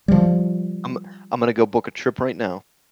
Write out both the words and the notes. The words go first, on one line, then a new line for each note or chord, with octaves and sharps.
I'm I'm gonna go book a trip right now.
F3 G3